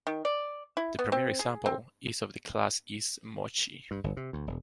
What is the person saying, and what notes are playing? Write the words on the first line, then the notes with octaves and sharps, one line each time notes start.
The premier example is of the class is MoCl.
D#3
D5
E4
B3
C4
G#4
C4
G2
G1
C3
D2
E1